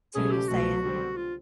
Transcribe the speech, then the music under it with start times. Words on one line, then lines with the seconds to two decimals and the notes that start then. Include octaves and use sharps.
to you saying,
0.15 C#2 B2 F#3 A3 C#4 G#4
0.31 G4
0.48 C2 B2 F#3 A3 F#4
0.82 D3 G3 C4
1.17 F4